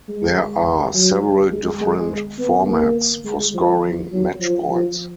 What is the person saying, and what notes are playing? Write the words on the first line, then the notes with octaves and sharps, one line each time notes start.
There are several different formats for scoring match points.
G#3
F#3
G#3
G#3
B3
A#3
G#3
F3
F#3
F3
F3